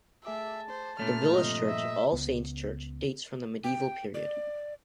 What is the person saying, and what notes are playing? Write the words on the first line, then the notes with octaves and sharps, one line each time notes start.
The village church, "All Saints' Church", dates from the medieval period.
A3 G#4 E5 A5 D6
C5
A#2 A3 C#4 F6
G2 C3 F3 D#5
E5
C#2 B3
G5
D5